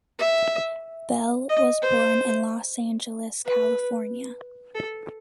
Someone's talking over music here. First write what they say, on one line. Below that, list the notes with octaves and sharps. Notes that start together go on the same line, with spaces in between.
Belle was born in Los Angeles, California.
E5
D#5
C5
B4
A4